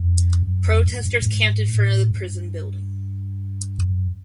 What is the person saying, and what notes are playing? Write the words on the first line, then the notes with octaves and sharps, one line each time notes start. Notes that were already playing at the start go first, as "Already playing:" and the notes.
Protesters camped in front of the prison building.
Already playing: F2
F#2
F2
G2
G2
A2
G#2
A2
G2
F#2